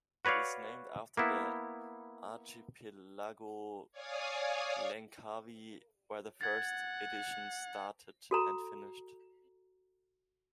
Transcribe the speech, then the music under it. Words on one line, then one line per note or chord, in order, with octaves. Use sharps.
It is named after the archipelago Langkawi, where the first edition started and finished.
F#4 B4 C#5 D5 F5
A#3 B3 E4
C#5 D5 F5 G#5 D#6
F#5 G#6 A6
F#4 A4 A#5